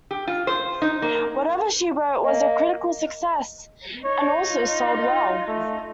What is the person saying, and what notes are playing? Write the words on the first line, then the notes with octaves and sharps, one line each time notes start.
Whatever she wrote was a critical success and also sold well.
G4
F4
C5
D#4
A#3
A#3 D#5
D#4 C#5
F4
A3